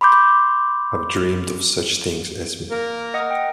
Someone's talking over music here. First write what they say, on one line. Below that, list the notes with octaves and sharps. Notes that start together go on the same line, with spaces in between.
I’ve dreamed of such things, Esme.
B5 C6 D6 G6
A#3 A#4
D#5 F#5 D#6
G5